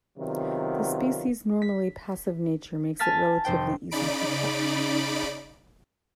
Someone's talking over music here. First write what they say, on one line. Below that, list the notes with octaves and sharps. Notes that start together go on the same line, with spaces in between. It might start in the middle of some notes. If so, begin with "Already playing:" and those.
The species' normally passive nature makes it relatively easy to catch.
C3 D#3 F#3 B3 F4
B6
G#5 A5 F6 A6 B6
F1 C5 G5
C#3 D#4 D5 B5 D7